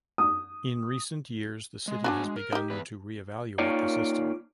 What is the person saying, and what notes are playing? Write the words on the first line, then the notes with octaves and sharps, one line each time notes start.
In recent years, the city has begun to re-evaluate the system.
D#6
G#3
F#3 B3 D4 F4 F#4 G#5
G#3
A#4
D#4 G4
E2 B4
A#3 D#4 F4 C#5 D5 G5